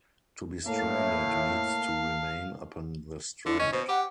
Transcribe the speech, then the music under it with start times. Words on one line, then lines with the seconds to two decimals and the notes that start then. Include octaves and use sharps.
To be stranded means to remain upon the strand.
0.66 A2 A#3 F5 A5
3.46 D3 E4
3.60 C#4 D#5
3.73 B2 C5
3.89 G4 F#5